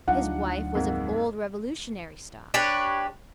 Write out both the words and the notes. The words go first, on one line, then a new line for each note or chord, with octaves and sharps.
His wife was of old Revolutionary stock.
D2 F#3 D4 D#4 F4 F#5
F2 G#2 A#3
D4 G4 B4 C#5